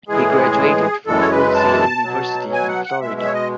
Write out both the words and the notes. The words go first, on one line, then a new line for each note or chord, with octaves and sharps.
He graduated from Full Sail University in Florida.
A2 E3 G#3 G#4
F#2 E3 G#3 A4
C#5
B4
A5
B2 F#3
G#5
F#5
F#5
B2 G#3 E5
E5
C#5
D#5